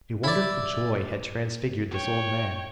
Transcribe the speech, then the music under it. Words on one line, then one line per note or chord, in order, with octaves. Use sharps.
A wonderful joy had transfigured this old man.
E4 D5
C#5 G5